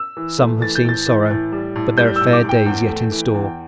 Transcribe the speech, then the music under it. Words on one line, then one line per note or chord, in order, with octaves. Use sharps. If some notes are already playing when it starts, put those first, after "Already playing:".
Some have seen sorrow; but there are fair days yet in store.
Already playing: E6
E3
A3
E3 A6
G6
A2 A6
E3
A2
G3
A2
G3 G6
E6
A2
D6
A2
G5
E2
A3
E3
E2